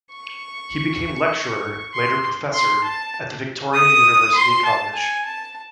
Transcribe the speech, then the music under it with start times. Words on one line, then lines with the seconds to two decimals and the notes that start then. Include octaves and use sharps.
He became lecturer, later professor, at the Victoria University College.
0.13 C#6
1.93 C6
2.54 C6
2.84 A5
3.74 D#6
4.35 C6
4.65 A5
4.95 G#5
5.25 A5